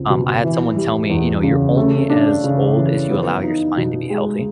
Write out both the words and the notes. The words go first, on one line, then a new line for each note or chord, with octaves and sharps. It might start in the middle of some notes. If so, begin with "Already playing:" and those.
um, I had someone tell me, you know, "You're only as old as you allow your spine to be healthy."
Already playing: C#2 C4
B2
E3
G3
E2
C#3
A3
D4
C#3
E3
B3
D#4
B2
G#3